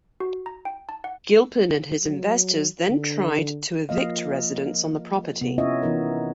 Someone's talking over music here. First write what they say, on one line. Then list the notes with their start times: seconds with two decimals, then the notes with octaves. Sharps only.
Gilpin and his investors then tried to evict residents on the property.
0.20 F#4
0.46 A#5
0.65 G5
0.89 A5
1.04 F#5
2.02 F#3
2.88 D3
3.89 F3 A#3 D#5 F5
5.41 C3 B3
5.58 C#4 E4 F4 C#5 D#5 E5
5.83 E3 B3 D#4 A#4